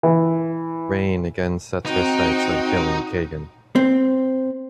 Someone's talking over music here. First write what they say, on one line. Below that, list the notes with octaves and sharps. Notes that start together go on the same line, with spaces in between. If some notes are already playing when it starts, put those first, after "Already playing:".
Rayne again sets her sights on killing Kagan.
E3
C4 D#4 F#4 G5
C4